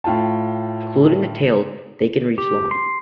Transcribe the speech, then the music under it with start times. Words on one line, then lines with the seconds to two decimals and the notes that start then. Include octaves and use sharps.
Including the tail, they can reach long.
0.04 A2 F4 G5 A5
2.38 G4
2.71 C6